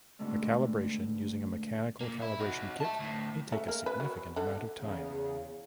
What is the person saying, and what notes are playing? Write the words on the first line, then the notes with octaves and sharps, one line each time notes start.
A calibration using a mechanical calibration kit may take a significant amount of time.
G#2 B2 D3 A3 C4
A#2 A#3
E4
D#4 F#4
E5 A5
D2 A2
A3
A#3
B4
F#3
D3
E2 C#3